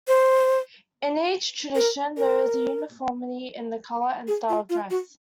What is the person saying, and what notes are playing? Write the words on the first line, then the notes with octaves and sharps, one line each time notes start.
In each tradition there is uniformity in the colour and style of dress.
C5
A#4
A#4
G#4
F4
F4
F#4